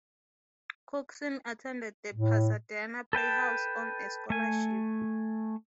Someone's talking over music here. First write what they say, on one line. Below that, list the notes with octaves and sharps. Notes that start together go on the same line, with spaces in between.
Cookson attended the Pasadena Playhouse on a scholarship.
A2
A4 B4 G5 A5
A3 G#5